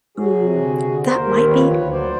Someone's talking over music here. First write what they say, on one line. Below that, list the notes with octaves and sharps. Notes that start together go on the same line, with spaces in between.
Mm, that might be
F#3 F#4 G#4
C3
D3
D3
D#2 A#4 C5
D#3
F3 B4 C#5
D2
F#3 C5 D5